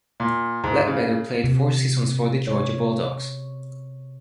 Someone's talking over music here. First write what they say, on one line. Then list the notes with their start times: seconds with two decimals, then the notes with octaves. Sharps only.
Ledbetter played four seasons for the Georgia Bulldogs.
0.20 A#2
0.64 G#2
0.87 C#3
1.44 C3
2.47 C#5